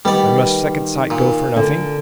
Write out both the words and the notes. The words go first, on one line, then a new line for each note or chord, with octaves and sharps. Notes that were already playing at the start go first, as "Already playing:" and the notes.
Or must second-sight go for nothing?'
D#3 G3 B3 D5
A#2
D3